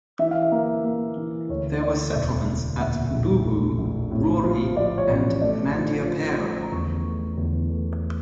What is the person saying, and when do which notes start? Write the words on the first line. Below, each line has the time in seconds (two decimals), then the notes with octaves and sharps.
There were settlements at Buwu, Rori and Mandiopera.
0.19 E3 E5
0.31 F5
0.42 E5
0.52 A#3
0.84 A#3
1.17 E3
1.49 D2 C#5
1.83 E3 D5
2.15 E1 D5
2.48 D2
2.80 A#2 E5
3.13 A#1
3.46 A3
3.78 A#1
4.11 A2
4.44 F3
4.76 F3 D5
4.98 C#5
5.09 A1
5.20 C#5
5.42 A3 D5
5.74 F3
6.07 F3
6.39 A3
6.63 A#5
6.72 E2 C#6
7.04 A3
7.37 E2
7.70 A3